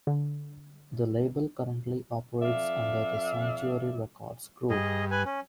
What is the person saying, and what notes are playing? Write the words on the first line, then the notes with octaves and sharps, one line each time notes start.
The label currently operates under the Sanctuary Records Group.
D3
F2 D5 E5 F5
G2 G#4 D#5
B4 G#5
C#4